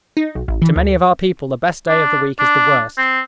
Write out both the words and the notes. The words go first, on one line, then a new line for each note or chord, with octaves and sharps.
To many of our people the best day of the week is the worst.
D#4
B1
A1
E3
D2
D4
D4
C4